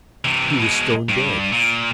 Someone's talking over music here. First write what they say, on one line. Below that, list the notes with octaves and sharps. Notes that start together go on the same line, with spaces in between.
He was stone dead.
C3 E3
B2 G#3
G2
A#2